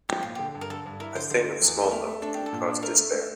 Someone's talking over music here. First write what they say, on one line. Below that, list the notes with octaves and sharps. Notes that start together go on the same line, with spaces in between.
A thing of small note can cause despair.
F3 G4
A#2 F4
D3 G4
G2
A#4
D3 A4
G2
E4 A#4
D3 C5
D3 C5
A3
E2
A3
A3 A#4
A3
D4 A4
D4 G4
A4
A#2
D4
A3 A#4
A3
A3